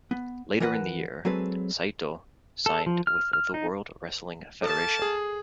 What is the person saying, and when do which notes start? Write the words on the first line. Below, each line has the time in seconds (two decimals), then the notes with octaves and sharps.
Later in the year, Saito signed with the World Wrestling Federation.
0.11 B3
0.60 E3 A#4 B4 F#5
1.25 F#3 G#3 C4 G#4 A4 B4
2.66 A4
2.86 F3
3.07 F6
3.33 F6
3.54 D#4
4.63 A#3 A4 A5 D#6
5.02 G#4